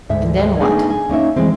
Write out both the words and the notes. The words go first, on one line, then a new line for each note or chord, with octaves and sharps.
"And then what?"
D2 G#2 E5
A3 B3 D4 D#4 G#4 G#5
G#5
A#3 C#4 D#4 E5
F2 E3 G#3 C4